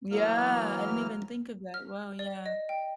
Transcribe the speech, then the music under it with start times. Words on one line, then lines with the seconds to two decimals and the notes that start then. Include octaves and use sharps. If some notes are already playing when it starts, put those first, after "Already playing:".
Yeah, I didn't even think of that. Wow, yeah.
0.12 E3 F#3 A#3 F6
1.74 F6
2.19 D5
2.46 D#5
2.69 G5